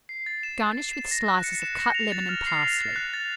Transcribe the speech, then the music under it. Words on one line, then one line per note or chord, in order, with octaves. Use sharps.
Garnish with slices of cut lemon and parsley.
C7
A6
E7
A6
C7
E7
A#6
F#6
C#7
E7
A#6
F7
A6
F6
C7
F7
A6
F#6
A6